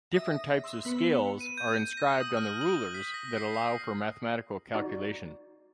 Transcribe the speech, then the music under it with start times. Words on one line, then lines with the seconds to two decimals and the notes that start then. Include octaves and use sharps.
Different types of scales are inscribed on the rulers that allow for mathematical calculation.
0.12 E5 D#6 A#6
0.64 C6 E6
0.85 B3 B4 B5 C#7
1.41 D#7
1.58 G6
1.97 A#6
2.20 D#6
2.37 F6
2.61 F#7
2.94 B6
3.14 A#6
3.37 C7
3.54 C7
4.75 D#4 F#4 D5